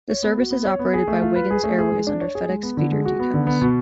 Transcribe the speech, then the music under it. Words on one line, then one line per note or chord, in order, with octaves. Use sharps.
The service is operated by Wiggins Airways under FedEx Feeder decals.
C#5
B3
F#4
B3
C#5
B3
G#4
A3
F4
B4
G#4
A3
G#4
G#3
D4
C#5
G#4
G#3
B3
D3
G#3
F#4
B3
D3
B3
B2